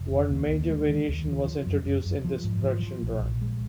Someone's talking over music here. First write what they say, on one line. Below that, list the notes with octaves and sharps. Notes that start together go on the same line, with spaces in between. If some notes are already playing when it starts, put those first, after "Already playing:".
One major variation was introduced in this production run.
Already playing: F1
D#3
D#2
D#2
G#3
D#3
D#2
F3
F3
F#2
F#2
F#2
F3
G#2
F3
F3
A#1
A#1
G#3